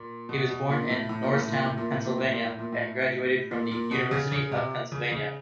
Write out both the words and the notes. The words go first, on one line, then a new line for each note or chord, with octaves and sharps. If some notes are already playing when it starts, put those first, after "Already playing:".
He was born in Norristown, Pennsylvania, and graduated from the University of Pennsylvania.
Already playing: A#2
B2
B2
A#2
A2
A2
A#2
A2
A#2
A2
A#2
A2
A#2
A2
A#2
A2
A#2
A2
A#2
A#2
B2
C#3
C#3
C3
C#3
C#3